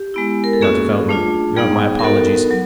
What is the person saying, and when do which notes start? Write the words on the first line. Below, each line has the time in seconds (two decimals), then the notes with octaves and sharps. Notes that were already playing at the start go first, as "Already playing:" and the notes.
Dr. Feldman, you have my apologies.
Already playing: G4
0.14 G#3 B3 E4
0.44 A#4
0.53 A4
0.61 A#3 C#4 F#4 G#4
1.09 A3 D4 F4
1.56 G3 B3 D#4 G#4
1.99 A#4
2.04 B3 D#4 F#4 A4
2.51 F#3